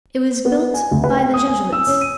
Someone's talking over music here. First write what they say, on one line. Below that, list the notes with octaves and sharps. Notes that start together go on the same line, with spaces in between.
It was built by the Jesuits.
B3
G#5
D2
B4
G5
D#6
G#5
E6
C#4
D#7